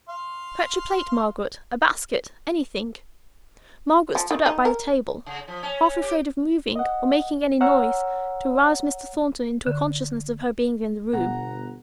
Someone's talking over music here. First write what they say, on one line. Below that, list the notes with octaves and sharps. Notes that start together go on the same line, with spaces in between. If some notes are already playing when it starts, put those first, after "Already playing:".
'Fetch a plate, Margaret--a basket--anything.' Margaret stood up by the table, half afraid of moving or making any noise to arouse Mr. Thornton into a consciousness of her being in the room.
F5 C6
F3
D#3
D#4
A#4
C#3
F3
C#4
C#4
G4
D#5 F#5
C#5 F#5 A#5 E6 F6
D3
G1 B2 F#5 A#5